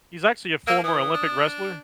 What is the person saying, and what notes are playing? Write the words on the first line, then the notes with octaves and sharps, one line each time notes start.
he's actually a former Olympic wrestler.
A#3 E6
E3 D#6
D4